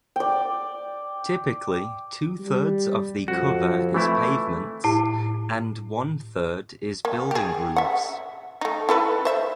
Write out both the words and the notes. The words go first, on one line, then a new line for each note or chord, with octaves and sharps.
Typically two-thirds of the cover is pavements and one-third is building roofs.
D5 G5
G3
F2 F#4
E3 A3 E4
A2 E4
A#3
G4 G#4
E5 F#5
A3 D#4
E4 A4 B4
C5 E5